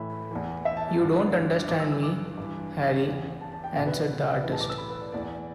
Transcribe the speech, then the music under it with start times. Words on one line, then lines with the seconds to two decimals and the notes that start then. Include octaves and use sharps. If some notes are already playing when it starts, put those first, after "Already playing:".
"You don't understand me, Harry," answered the artist.
Already playing: A2 E3 E5 B5
0.31 E2 E3
0.65 E5
0.77 A5
0.89 A5
1.00 G2 D3
1.69 G2 E3 D6
1.80 E6
1.92 E6
2.03 D6
2.38 G2 E3
3.06 E2 E3
3.41 A5
3.52 A5
3.64 G5
3.76 E2 B2 E5
3.86 B4
3.98 D5
4.10 B4
4.33 D5
4.43 A2 E3 B4
4.52 A5
4.61 D6
4.70 E6
4.78 B5
4.90 B4
5.02 D5
5.12 E2 E3 D5